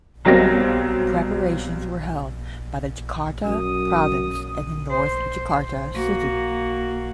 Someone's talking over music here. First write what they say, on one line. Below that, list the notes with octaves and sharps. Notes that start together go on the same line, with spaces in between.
Preparations were held by the Jakarta province and the North Jakarta City.
B1 F#3 G3 A#3 C4 A#6
F#2 D#6
C5
A#3 F#4